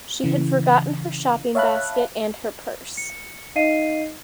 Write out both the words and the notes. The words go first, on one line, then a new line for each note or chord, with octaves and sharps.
She had forgotten her shopping basket and her purse.
C#3 E3
C#5 E5 F5 A5 B5 F#6
C#7
D#4 D#5 F5 C7 D#7